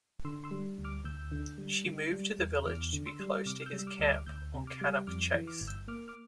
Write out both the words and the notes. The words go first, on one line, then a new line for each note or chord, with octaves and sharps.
She moved to the village to be close to his camp on Cannock Chase.
D3 C6 E6
C6 E6
G3
D2
D6 F6
D2 E6 G6
D3
G3
D3
G3
E2
E2 D6 F6
D3
C6 E6
G3
C3 D6 F6
F6
E6 G6
G3
E6
D6 F6
D2 E6
D6 F6
D2 E6 G6
C3
D6 F6
G3
F2 D6 F6
E3
D6 F6
G1
E6 G6
A#3 D6 F6
D6 F6